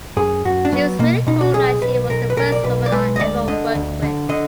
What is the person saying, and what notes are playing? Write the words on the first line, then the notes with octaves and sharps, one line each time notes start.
She was really cool as she was the first woman I ever worked with.
F#2 G#4
F#2 F#4
D4
F#3 B3
B2 A#3
B2 D#4
F#4
B1 G#4
B1 B4
B1 A#4
B4
B1 A#4
D5
B1 B4
D5
G#3 B4
D#5
D2 D5
D3 D#5
D2
D3
D3 D#5